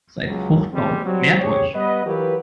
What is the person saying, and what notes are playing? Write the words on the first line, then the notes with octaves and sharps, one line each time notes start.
Seid fruchtbar und vermehrt euch!
C#2 F#3
F3 G3 G#3 C4
F#3 G3 C4
C#3 G4 G#4 C#5
G3 B3 B4 D#5
E3 F#3 F4 G4 A#4 B4